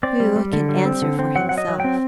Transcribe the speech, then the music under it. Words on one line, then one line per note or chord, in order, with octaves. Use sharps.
Who can answer for himself?
C4 D5
G3
G3
D3
G3
C4
D3
C4
F#3 F#5
F#3 F#5
D#5
F#3
C4 G5